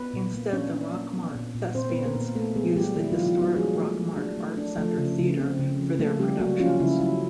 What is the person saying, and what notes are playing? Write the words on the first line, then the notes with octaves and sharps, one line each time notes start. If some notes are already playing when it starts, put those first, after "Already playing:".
Instead, the Rockmart Thespians use the historic Rockmart Art Center Theatre for their productions.
Already playing: B3 B4
A#2
A#3
C#4 D4 C#5
D4
A#3
B3
A#2
A#2
A#2 C4 C5
B3 B4
A#2
A#3 A#4
A#2
A#3 A#4
A3 B3 A4
G#3 B3 G#4
F#3 G3 G4
D#3 E4
D#3 F3 F4
F3 F4
F#3 B3 F#4
G#3 D4 G#4
A3
F#3
D4
A3
D4
F3 A3 A4
C#3
C#3
C4
C#3
F3
A3 A#3 A4
G3 C#4 G4
F#3 A#3 F#4
F3 C#4 F4
C#3 E4
F#3 E4